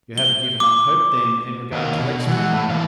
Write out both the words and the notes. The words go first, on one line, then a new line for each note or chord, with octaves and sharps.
"You haven't given up hope, then, in regard to Lexman?"
G7
D6
D#2 A#4
B2
E3 F#5
A2
E3 F5